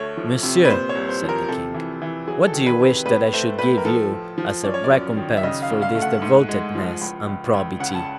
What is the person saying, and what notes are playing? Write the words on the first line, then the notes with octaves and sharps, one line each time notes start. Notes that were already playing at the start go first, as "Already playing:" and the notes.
"Monsieur," said the king, "what do you wish that I should give you, as a recompense for this devotedness and probity?"
Already playing: D2 A3 C#5
F3
C3
B4
A#2 C5
C#5
C2
C5
F3
A#4
C3 A4
E3
E3
F#3 G#4
A4
D#3
B4
C3
A2 B4
A3 C5
A2 B4
A#4
F3 A4
F3
F3
C#4 D5
C#5
D5
F#2
D#3
E5
C#3 D#5
F5
D2
F5
A3
F#5
G#2
G#3
F3
C#2
C#2
C#2
C#3 F#5
A5